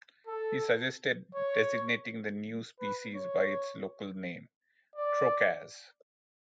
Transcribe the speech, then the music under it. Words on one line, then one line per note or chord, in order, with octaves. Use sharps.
He suggested designating the new species by its local name, "trocaz".
A4
C#5
B4
C#5
D5